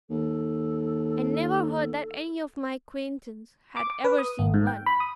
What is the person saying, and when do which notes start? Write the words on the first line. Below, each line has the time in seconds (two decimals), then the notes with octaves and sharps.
I never heard that any of my acquaintance had ever seen one.
0.10 D#2 A4
3.77 D6
3.90 D6
4.04 B4
4.18 D#6
4.39 G#1
4.54 G#2
4.67 G5
4.86 B5
5.00 D#6